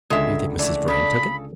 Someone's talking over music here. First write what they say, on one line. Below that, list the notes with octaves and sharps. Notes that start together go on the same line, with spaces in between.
"Do you think Mrs. Vrain took it?"
C#2 D3 G#3 E5 G#5
E3 A3 D4
C#3 A4 B5